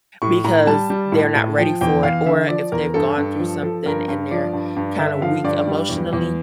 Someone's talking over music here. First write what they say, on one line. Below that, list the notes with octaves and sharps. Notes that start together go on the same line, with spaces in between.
because they're not ready for it, or if they've gone through something, and they're kinda weak emotionally,
A2 C#6
A2 A#5
G3 A5
G3
A2
A2
F3 G5
E2 G5
E2 F5
D3 E5
F3 D5
E2 A#4
G2 A4
G2
F3
F3 A4
G2 A#4
G2
F3 D5
G2
G2
D3 E5
F3 F5
G2 D5
G3
E2
E2